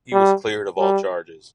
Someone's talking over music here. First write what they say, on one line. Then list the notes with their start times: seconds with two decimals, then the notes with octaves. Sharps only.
He was cleared of all charges.
0.13 G3
0.79 G3